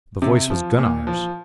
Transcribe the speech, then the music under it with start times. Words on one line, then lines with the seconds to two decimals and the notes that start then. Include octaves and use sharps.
The voice was Gunnar's.
0.22 C3
0.50 F3
0.78 A#2
1.07 F3